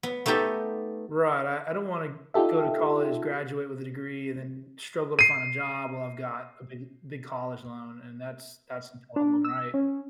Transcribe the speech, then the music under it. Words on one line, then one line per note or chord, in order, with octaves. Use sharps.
Right, I I don't wanna go to college, graduate with a degree, and then struggle to find a job while I've got a big big college loan and that's that's the problem, right?
B3
A3 B3 D#4 G4 A4
D#4 F4 G4 A4 E5
C7 D#7
D4
E6
C#4